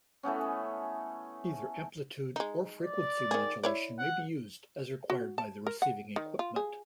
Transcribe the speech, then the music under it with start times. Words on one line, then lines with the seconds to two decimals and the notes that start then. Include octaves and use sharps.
Either amplitude or frequency modulation may be used, as required by the receiving equipment.
0.23 E3 A3 B3 C#4
2.36 G#3 D#4
2.81 D5
3.31 D#3 G#4
3.63 E4 C#5 D5
3.99 F#5
5.10 F#4
5.38 A5
5.67 A#4
5.82 F#5
6.16 D#3
6.39 F4
6.56 G#4